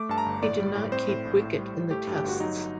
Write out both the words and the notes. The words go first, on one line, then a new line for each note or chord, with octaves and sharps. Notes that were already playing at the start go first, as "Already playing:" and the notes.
He did not keep wicket in the Tests.
Already playing: A3 D6
G2 A5
A#5
G1
A2 D5
G3
A2
C4 C5
A2
A#1
A2
G3
A2
A3 G4
G2
G4
G1 F#4
F#3 D#4